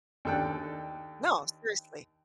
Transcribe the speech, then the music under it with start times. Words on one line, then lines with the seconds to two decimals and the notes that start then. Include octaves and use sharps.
No, seriously,
0.25 D#2 D4 A4 G5 F#6